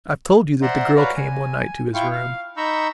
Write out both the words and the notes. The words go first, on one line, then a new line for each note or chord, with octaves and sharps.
I have told you that the girl came one night to his room.
C5 D5 E5 F#5 A#5 C6
F#4 B4 C#5 D5 F5 A#5
G#5
E4 F4 F5 G5 C#6
F5
D#4 A#5 B5 C#6 E6 G6